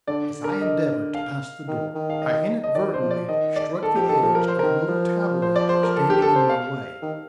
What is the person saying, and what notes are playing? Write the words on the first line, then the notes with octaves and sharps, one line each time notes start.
As I endeavored to pass the door, I inadvertently struck the edge of a little taboret standing in my way.
D3 D5
D3
A#4
D#5
F5
D#3
D#3
F5
D#5
D#5
D#3 D5
C5
F3
D5
D#3 D#5
D5
D#3 A4
F3 G4
D#3 A4
F3 A4
F3 A#4
C5
D#3 A#4
F3
C5
D5
C5
A#4
A4
G4
A4
C5
F5
D#3